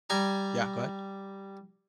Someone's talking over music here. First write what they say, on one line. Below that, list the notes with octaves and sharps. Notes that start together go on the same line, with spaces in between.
Yeah, go ahead.
G3 G#5 A#5